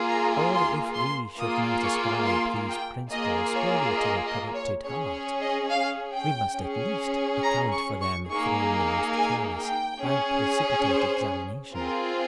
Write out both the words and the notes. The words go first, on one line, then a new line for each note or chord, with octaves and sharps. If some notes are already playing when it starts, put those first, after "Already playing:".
Or if we should not ascribe these principles wholly to a corrupted heart, we must at least account for them from the most careless and precipitate examination.
Already playing: A#3 F4 G#4
A#5
C6
C6
A#3 F4 G#4 D#6
C#6
C6
G5
A#3 F4 G#4 D#5
C#5
D#5
D#5
C#5
C#4 G#4 C#5
C#5
D#5
F5
G5
C#4 G#4
A#5
C#6
C#6
A#3 D#4 G#4 C#6
G#5
G5
C#4 G#4
C5
C4 F4 G#4 A#4